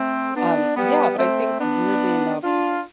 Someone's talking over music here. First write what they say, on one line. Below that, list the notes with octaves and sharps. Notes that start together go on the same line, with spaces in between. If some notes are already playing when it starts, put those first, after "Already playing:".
um, yeah, but I think, weirdly enough, m
Already playing: A3 C4
B3 D4
G3 B3
A3 C4
B3 D4
D4 F4